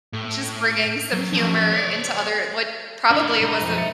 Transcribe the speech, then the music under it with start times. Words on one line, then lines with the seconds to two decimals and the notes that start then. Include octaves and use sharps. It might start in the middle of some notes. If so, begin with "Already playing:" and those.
Just bringing some humor into other what probably was a s
0.13 A2
1.13 F#3
1.33 F3 C#4
1.72 C#5 D5
3.11 D3 D4 E4
3.41 B1 G#3 D#5 A#5 B5
3.61 F2
3.77 E5 A6 C#7